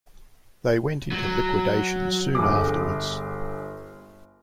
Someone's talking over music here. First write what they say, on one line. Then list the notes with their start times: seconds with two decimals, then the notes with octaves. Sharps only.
They went into liquidation soon afterwards.
1.12 F#3
2.35 G1 G#4 D6